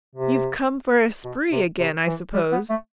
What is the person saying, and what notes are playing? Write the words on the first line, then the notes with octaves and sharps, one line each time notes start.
You've come for a spree again, I suppose?
C3
B2
C3
C3
E3
G3
B3
A3